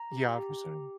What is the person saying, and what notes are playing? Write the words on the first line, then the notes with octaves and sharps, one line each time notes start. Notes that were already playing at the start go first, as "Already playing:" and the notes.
Yeah, for certain.
Already playing: A#5
G4
G4
G4